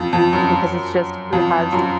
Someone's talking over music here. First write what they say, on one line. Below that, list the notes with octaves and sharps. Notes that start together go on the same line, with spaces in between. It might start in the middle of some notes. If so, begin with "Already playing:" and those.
because it's just, "Who has
Already playing: F2
F2
F#2
F2
F#2